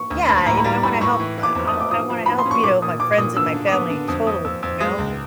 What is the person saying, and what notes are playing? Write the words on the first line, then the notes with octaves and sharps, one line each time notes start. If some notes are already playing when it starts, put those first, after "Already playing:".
Yeah, you know, I wanna help, uh uh, I wanna help, you know, my friends and my family totally, you know?
Already playing: C#6
D2
D2 B5
A2 A#5
B5
G3 A#5
A2 B5
A2 C#6
E3
E3
D6
F2
D#6
A3
D6
F3 D#6
F3
F3 B5
C6
C#4
C#6
A#2 D6
A#2 D#6
A#2 D6
A#2 D#6
D3 E6
D3
D6
B3 D#6
D3
F2 D#6
F2 D#6
F2 E6
F2 E6
G#3 D#6
C#2